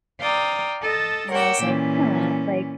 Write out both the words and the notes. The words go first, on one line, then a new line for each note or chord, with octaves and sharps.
and I was like, "Huh," like,
D5 F5 G5 A#5 D#6
A4 D#5 A5
A#4 C#5 F#5 G5 D6 E6
A#2 E3 C#4